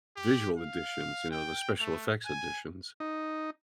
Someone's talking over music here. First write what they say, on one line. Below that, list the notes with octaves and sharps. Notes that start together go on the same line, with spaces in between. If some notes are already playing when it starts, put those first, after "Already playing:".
visual editions, you know, the special effects editions.
G4
F5
G5
A3
G#5
D#4